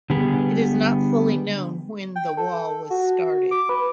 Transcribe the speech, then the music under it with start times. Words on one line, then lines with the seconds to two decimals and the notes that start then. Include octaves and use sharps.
It is not fully known when the 'wall' was started.
0.10 D3 G3 B3 G4 G#4
2.16 G5
2.37 A4
2.90 F#4
3.51 D6
3.69 B4